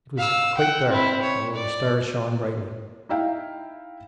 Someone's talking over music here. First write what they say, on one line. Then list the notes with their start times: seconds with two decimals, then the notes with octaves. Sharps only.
It was quite dark, although the stars shone brightly.
0.18 F5 E6
0.57 F#5 G5
0.89 C4 E4
1.22 C#5
1.55 D5
3.09 D#4 E4 E5 F5 G5